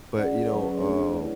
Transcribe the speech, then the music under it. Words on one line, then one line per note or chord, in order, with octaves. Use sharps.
but, you know, uh,
C#4 G#4 D5 F#5
F#3 C#4 G#4 B4
A3 D4 G#4 C#5
E4 B4 D5 F#5